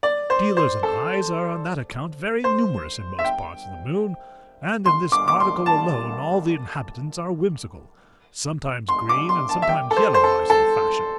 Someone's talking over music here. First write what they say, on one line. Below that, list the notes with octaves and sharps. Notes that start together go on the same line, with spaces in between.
Dealers in eyes are on that account very numerous in most parts of the moon, and in this article alone all the inhabitants are whimsical: sometimes green and sometimes yellow eyes are the fashion.
D5
C5
C5
A4
C5
E5
G5
C6
D6
D6
C6
A5
C6
D6
C6
A5
E5
G5
A4
C5
C5
A4
A4